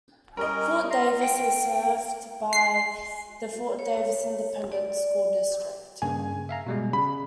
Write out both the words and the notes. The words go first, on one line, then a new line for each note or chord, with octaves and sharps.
Fort Davis is served by the Fort Davis Independent School District.
G3 C#4 A#4 D#5
A#5 C6
G5
C7
C#5
D5
G2 C#3 A#3 G#5
E5 F5 A#5
B2 G3 G#3
C#3 B5